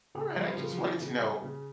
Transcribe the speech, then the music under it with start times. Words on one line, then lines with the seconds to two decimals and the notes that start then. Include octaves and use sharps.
Alright, I just wanted to know,
0.15 C#3
0.36 F3 G3
0.57 C#3
0.78 E3
1.00 C#3
1.21 G3
1.42 C#3